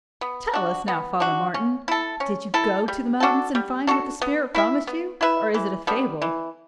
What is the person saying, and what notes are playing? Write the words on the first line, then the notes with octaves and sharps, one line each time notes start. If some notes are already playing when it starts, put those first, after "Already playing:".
'Tell us now, Father Martin, did you go to the mountain and find what the spirit promised you; or is it a fable?'
B3
D4 F#4
B3
D4 F#4
C#4
E4 A4
C#4
E4 A4
G3
D4 F#4 A4
G3
D4 F#4 A4
B3
E4 B4 E5
B3
E4 B4 E5
E3
G3 B3 D4
E3